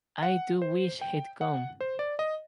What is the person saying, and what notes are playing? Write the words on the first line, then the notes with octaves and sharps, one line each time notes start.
I do wish he’d come.
F#5
C5
G5
F#5
C5
D5
D#5